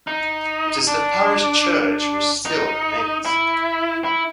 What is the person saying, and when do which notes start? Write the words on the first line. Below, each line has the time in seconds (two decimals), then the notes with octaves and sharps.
It is the parish church which still remains.
0.07 D#4
0.87 D4
2.45 D#4
3.25 E4
4.04 E4